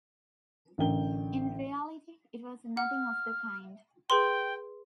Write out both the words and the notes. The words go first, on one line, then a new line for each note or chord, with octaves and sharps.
In reality it was nothing of the kind.
A1 D3 A#4 G5 G7
F#5 F6
G#4 B4 G5 C6